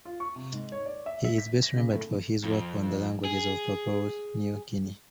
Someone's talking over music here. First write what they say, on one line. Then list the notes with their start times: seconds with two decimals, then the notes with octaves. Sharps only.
He is best remembered for his work on the languages of Papua New Guinea.
0.05 F4
0.20 C#6
0.36 C3
0.53 G#2
0.72 C#5
0.86 D5
1.06 E5
1.24 E5
1.38 B6
1.63 A#6
1.76 C#3
1.92 A2
2.44 F2
3.25 G#4